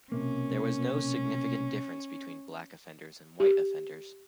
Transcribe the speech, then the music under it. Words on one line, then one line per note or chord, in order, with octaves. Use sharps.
There was no significant difference between black offenders and white offenders.
B1 C3 A#3 C#4
G4